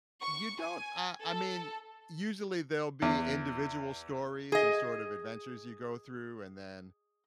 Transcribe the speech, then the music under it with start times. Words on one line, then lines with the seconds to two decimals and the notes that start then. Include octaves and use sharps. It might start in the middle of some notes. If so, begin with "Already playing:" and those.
You don't I I mean, usually there'll be individual stories and sort of adventures you go through and then,
0.22 C#6
0.61 G#5
1.23 A4
3.02 E2
4.52 G#4 D#5